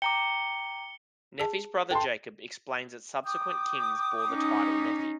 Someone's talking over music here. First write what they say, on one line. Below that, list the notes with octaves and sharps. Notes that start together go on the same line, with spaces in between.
Nephi's brother Jacob explains that subsequent kings bore the title Nephi.
G5 A#5 D6 C#7 G7
G#4 A5
A4 G5 A5 C6
G5 D6 D#6
C#4 D#4